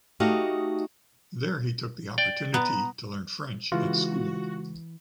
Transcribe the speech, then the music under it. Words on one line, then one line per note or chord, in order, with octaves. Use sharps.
There he took the opportunity to learn French at school.
A3 D#4 F#4 G4 D#5 F5
D5 G5
B3 A#5
C#3 E3 G#3 F4 F#4